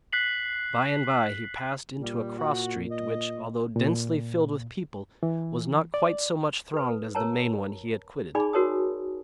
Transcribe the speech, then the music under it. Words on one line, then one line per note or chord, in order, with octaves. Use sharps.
By and bye he passed into a cross street, which, although densely filled with people, was not quite so much thronged as the main one he had quitted.
F#6 B6 C7 F#7
A#2 G3
F#4
D#5
A#2
E3
D5
A4 B4
A#4 C#5 A5 A#5
D#4 G#4 D5 G#5 B5 D6
F#4 A#4 C#5 A5 D#6